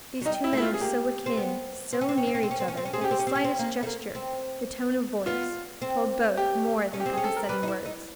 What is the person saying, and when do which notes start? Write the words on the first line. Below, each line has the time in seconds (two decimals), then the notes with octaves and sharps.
These two men were so akin, so near each other, that the slightest gesture, the tone of voice, told both more than could be said in words.
0.21 F#3
0.25 G3 D#4
0.44 E4
0.53 A3
0.57 E4
0.62 F4
0.74 G#4
0.81 A#3 G4
1.26 C4
1.37 B3
1.93 C4
2.01 C#4
2.09 C4
2.17 C#4
2.27 C4
2.35 C#4
2.43 C4
2.51 C#4
2.60 C4
2.68 C#4
2.77 C4
2.85 C#4
2.93 C4 G#4
3.01 C#4 G4
3.11 C4
3.19 C#4
3.27 C4
3.35 C#4
3.44 C4
3.59 A#3
3.83 A3
3.87 A#3
4.15 C4
5.26 B3 F4
5.82 C4
6.37 G4
6.94 C#4
7.00 G4
7.06 C4
7.13 C#4 G#4
7.24 A4
7.36 A#4
7.49 D4 B4
7.63 D#4
7.68 E4
7.85 D#4